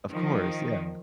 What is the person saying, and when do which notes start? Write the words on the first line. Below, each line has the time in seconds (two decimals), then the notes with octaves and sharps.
Of course, yeah.
0.12 D#3 F3